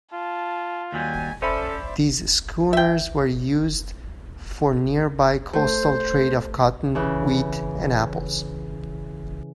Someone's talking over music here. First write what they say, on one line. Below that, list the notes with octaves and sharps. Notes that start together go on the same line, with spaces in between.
These schooners were used for nearby coastal trade of cotton, wheat and apples.
F4 A5
D#2 F#3 G3 G#5
C#4 A4 C5 D5 E5 B5
E5 G5
A3 C5
C#3 E3